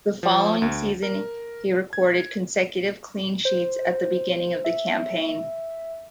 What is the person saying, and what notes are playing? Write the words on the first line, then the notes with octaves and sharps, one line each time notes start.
The following season, he recorded consecutive clean sheets at the beginning of the campaign.
F3
D2
A#4
G#6
C5
E5